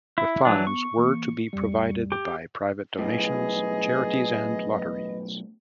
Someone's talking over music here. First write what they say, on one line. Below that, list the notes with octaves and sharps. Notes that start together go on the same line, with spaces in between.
The funds were to be provided by private donations, charities and lotteries.
E4 E6
E3 F#3 D4
B3 C#6
E3 A#3
A#1 F2 G3
G4
B1 F#2 A2 G#4 B4 D#5